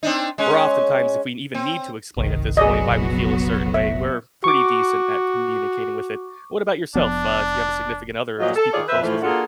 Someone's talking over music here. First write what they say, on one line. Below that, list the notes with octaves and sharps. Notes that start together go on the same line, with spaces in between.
we're oftentimes if we even need to explain at this point why we feel a certain way, we're pretty decent at communicating with it. What about yourself, uh, if you have a significant other or just people close with ya?
C4 D4 D#4
G#3 C#4
C4
G1 C2 D#3
F#3 B3 F#4 G#4 D5 D#5
F1 A#1
E5
F#4 C#6 D6
F1 F3 B3 D4
A#2 F3 F#3 D#5
A4
D#3 F4 G#4 C#5 D5
F2 B4 C5 E5
A2 E3 F3 A3
A#3 D4 F4 F#4 G#4 A4